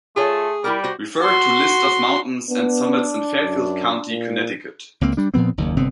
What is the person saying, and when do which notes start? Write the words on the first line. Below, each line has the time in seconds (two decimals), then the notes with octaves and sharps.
Refer to List of Mountains and Summits in Fairfield County, Connecticut.
0.16 A3 F4 G#4 A4 C#5
0.64 G3 E4 G4 A#4
0.84 F#4 C5
1.20 F#4 C6
2.50 B3 D4
3.40 F#2
4.09 A#2
5.01 C#2 A#3 C4
5.17 G3 D4
5.34 A#2 F3 B3 C4
5.58 F#1 D#2
5.76 G1 C3 B3 C4